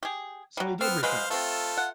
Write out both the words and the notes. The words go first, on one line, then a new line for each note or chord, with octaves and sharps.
So he did return!
G4 G#4
F#3 G3
B3 C4 F6
F#3 G#3 B4 C5 F5
A3 C4 F4 A4
F#5